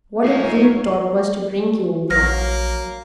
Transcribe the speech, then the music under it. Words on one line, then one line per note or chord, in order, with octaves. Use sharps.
What a brute Torp was to bring you over.'
G#2 D#4 F4 A#4 C#5 E5 C7
A#1 F#3 A#3 F6 A#6